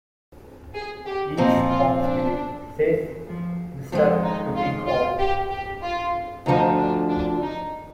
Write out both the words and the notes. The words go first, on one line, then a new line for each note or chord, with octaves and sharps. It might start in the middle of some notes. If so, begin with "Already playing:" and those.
"He is obstinate," says Mr. Tulkinghorn.
G#4
G4
A#2 F3 C4 D#4
F4
D4
F3
F2 D#3 F3 G#3
D#4
F4
F4
G4
G4
F4
D2 D3 F3 D#4
D4
D4
D#4